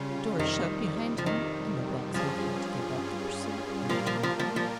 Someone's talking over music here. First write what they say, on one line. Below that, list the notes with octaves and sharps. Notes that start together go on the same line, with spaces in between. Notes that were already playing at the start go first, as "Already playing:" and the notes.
The door shut behind him, and the blacksmith had to give up the pursuit and return home.
Already playing: C#3 G3 C#4 F4
F2 C3 D#3 G3
F3
D#3
G2 F3 G3 C#4 F4 G#4
A#2 F3 G3 A#3 F4 A#4
F3
F3
F3
F3